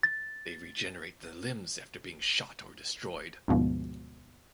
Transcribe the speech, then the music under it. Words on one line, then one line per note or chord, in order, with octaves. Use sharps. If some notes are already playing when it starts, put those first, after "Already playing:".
They regenerate their limbs after being shot or destroyed.
A6
D2 G#2 B2 F3